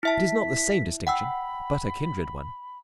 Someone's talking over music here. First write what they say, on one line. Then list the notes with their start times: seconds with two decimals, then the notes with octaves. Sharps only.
It is not the same distinction, but a kindred one.
0.03 E4 E5 A5 B6
1.07 F#5 G5 B5 E6